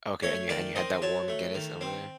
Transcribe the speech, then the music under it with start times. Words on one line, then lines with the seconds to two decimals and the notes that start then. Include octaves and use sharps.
Okay, and you and you had that warm Guinness over there?
0.23 A3 C#5
0.49 D#3 D5
0.76 C4 D#5
1.02 F#3 A5
1.28 A3
1.55 D#3
1.81 C4